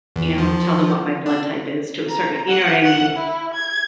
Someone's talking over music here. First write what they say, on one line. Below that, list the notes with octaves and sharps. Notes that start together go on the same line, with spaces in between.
you know, tell them what my blood type is to a certain you know what I mean?
E2
F3
D4
A#5
F#5
F#5
E4
G#6